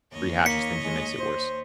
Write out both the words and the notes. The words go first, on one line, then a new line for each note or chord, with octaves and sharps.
rehashes things and makes it worse.
D#2 C#5 D#5
A#3 B6 C#7
G#3
C5